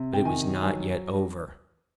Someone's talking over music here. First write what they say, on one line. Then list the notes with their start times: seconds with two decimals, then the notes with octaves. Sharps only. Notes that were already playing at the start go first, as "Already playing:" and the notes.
But it was not yet over.
Already playing: C3
0.14 G5
0.25 D#3 G#5
0.62 F#3 G#5